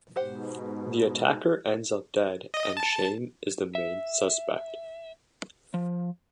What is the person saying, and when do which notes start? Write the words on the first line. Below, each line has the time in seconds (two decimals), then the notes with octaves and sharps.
The attacker ends up dead and Shane is the main suspect.
0.16 G#2 B2 G4 C5 F#5
2.54 D#5
2.77 A5
3.75 E5
5.74 F3